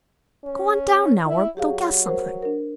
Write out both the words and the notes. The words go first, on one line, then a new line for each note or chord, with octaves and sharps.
Go on down now, or they'll guess something.
C#4
E4
F#3 G4 G#4 F5
A#4 C5
D4 A#4